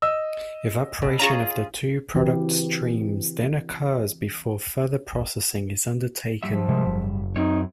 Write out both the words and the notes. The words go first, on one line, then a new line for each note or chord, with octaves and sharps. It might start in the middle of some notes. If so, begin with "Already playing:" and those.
Evaporation of the two product streams then occurs before further processing is undertaken.
D#5 E6
B2
C#4 F4 G#4 A#5 C#6
C#3 E3 C4 F#4 G4 B4
G#2 F3 G3 E5
C3 G#3
F#1
F#2 C4 D#4 C#5